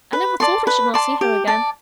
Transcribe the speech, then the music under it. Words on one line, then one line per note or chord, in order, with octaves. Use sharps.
I never thought I should not see her again.'
B4
D5 A5 C6
B4
D5 A5 C6
G4
D5 A5